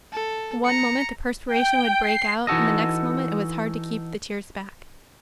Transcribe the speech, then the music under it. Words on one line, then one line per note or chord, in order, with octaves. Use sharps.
One moment the perspiration would break out and the next moment it was hard to keep the tears back.
A4
A#5 C#7
G5
C7
E3 D#4 F#4 A4 D#5